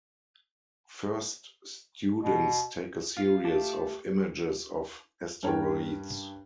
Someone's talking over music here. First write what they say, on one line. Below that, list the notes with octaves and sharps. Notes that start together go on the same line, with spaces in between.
First students take a series of images of asteroids.
B2
F4 F5
A3 G4 A5
G2 C#4 D4 A#4 C#5 G5